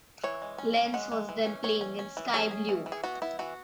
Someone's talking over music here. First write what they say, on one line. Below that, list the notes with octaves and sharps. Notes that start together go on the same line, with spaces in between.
Lens was then playing in sky blue.
E3 C#5
G#3
C#4
C#4
G#3 F#5
G#3
E3
C#4
E3 C#5
C#4
C#4
E3
C#4 G#4
C#4
E3
E3
G#4
B3 F#4
B3 E4
E3 F#4